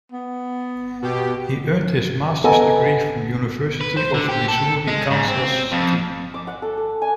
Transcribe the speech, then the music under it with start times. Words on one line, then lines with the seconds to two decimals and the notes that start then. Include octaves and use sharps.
He earned his master's degree from University of Missouri-Kansas City.
0.12 B3
1.02 B2 G4
2.44 B3 A4 D#5 F#5 G#5 A#5
3.81 B4
3.97 C5
4.14 D3
4.29 G4
4.48 A4
4.88 G#3
5.11 G#2
5.28 C4
5.72 F2
6.34 D6
6.47 F#5
6.62 A4
6.77 A4
7.02 G#5